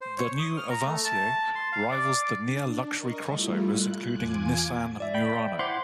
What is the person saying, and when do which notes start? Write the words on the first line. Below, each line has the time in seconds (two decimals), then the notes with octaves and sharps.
The new Avancier rivals the near luxury crossovers including Nissan Murano.
0.01 C5
0.18 C#5
0.39 D#6
0.57 F6
0.70 A#5
0.86 A3
1.05 A5
1.55 C6
1.72 F5
1.91 D5
2.44 D4
2.89 A#4 D#5 C#6
3.24 G3 A3 E4 F4
3.65 F#6
4.11 E2 F4 G#5 D6 G#6
5.00 D5 E5
5.14 G5 B5
5.59 E4 C5 F#5 C6 D6